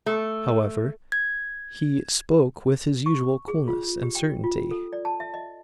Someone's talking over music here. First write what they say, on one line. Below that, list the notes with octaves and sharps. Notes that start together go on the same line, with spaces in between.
However, he spoke with his usual coolness and certainty.
A3
G#6
C#6
G#4
F4
G4
G5
F4
A4
D5
A5
E5
D#5